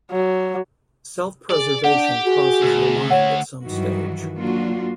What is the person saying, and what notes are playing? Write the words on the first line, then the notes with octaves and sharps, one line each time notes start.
Self-preservation crosses your mind at some stage.
F#3
G#4 D5
D4 G4 F#5
F#4 G#4
D2
C#5 F#5
G2 D#3 E3 F#3 F#4
F#3 A#3 D4 F4 F#4